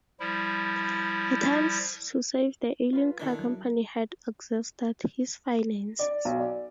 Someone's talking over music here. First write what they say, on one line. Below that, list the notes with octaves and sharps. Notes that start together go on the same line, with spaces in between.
Attempts to save the ailing car company had exhausted his finances.
F3 G3 E4
F4 B4
D#3 D4 E4 A4
F#3
D5
B1
D5